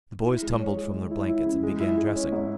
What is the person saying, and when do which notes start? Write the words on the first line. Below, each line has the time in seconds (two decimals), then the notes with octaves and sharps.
The boys tumbled from their blankets and began dressing.
0.24 E4
0.42 G#3
0.59 C#5
0.77 G#3
0.93 G#3
1.11 E4
1.28 E4
1.45 C#3
1.63 G#3
1.80 E4
1.97 G#3
2.15 C#4
2.32 G#2